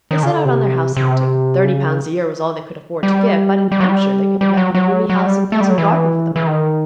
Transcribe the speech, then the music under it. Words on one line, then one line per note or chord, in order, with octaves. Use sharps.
They set out on their house-hunting. Thirty pounds a-year was all they could afford to give, but in Hampshire they could have met with a roomy house and pleasant garden for the money.
D#3
C#3
D3
C3
C3
C#3
G3
G3
F#3
G3
G3
F#3
F#3
F#3
G3
A3
G3
F#3
E3
E3
D#3